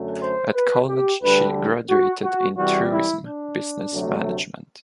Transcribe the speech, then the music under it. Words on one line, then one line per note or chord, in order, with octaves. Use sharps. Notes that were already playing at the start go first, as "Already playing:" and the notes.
At college she graduated in Tourism Business Management.
Already playing: F#2 D3 F#3 A3
C5
B4
G4
D2 D3 G3 B4
F#4
F#4
C2 C3 E3 G3 F#4
E4
D4
D2 C3 F#3 A3